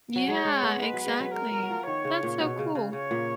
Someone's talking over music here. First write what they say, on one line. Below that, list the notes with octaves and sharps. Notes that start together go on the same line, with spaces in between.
Yeah, exactly. That's so cool.
F#3
G#3 C#5
G#3
B3
G#3 B4
F#3
G#3
F#3
G#3 A#4
F#3
F#3
F3
D#3 C#5
C#3
A#2
B2
C#3
C#3
C#3 C#5
A#2